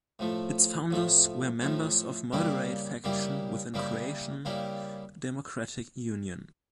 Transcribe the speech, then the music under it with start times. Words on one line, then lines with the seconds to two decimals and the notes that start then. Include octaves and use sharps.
Its founders were members of moderate faction within Croatian Democratic Union.
0.19 A2 F3 A3
0.91 A2 F3 A3
1.61 A2 F3 A3
2.32 C#3 G3 A#3 E4 G4
3.04 C#3 G3 A#3 E4 G4
3.74 C#3 G3 A#3 E4 G4
4.45 C#3 G3 A#3 E4 G4